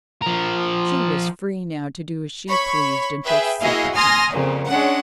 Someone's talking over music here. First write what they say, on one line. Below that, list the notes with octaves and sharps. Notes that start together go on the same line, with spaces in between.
She was free now to do as she pleased until supper-time.
F3 A#4
C#5 B5 C#6
G#4 B4 E5 G5
A#3 E4 F#4 G#4 D#5 F5
G#5 C6 D#6 F6 A#6
F2 A#2 C#3
G#3 C#4 D4 F#5